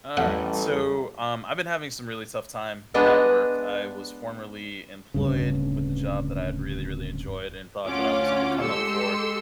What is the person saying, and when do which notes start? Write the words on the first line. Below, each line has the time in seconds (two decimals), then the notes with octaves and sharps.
Alright. So, um, I've been having some really tough time at work. I was formerly employed with the job that I had really, really enjoyed, and thought that I was on the come-up for
0.17 A1 G3 A4 F#5
2.94 G#3 B3 D4 D#5
5.14 D1 G2 C#3
7.86 D2 C#4 F4 F#5 D6
8.61 G#3 G4 A4 C6 E6 C#7